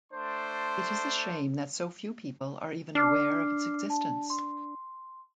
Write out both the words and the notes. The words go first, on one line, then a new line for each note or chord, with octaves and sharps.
It is a shame that so few people are even aware of its existence.
A3 D4 C5 C6
D4 D6 F6 C7
A5
C6